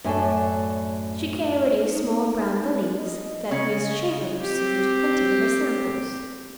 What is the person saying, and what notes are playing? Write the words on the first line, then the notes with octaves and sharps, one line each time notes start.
She carried a small brown valise that Miss Shaeffer presumed contained her samples.
F#2 A2 D4 A4 G#5
D#4
D#5
C#3 C#4 D#5
C4 G4